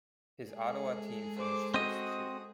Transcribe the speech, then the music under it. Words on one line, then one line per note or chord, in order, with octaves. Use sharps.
His Ottawa team finished first, too.
G#3 G#4 A4
C5 D6
C4 F#4 D#5 D#6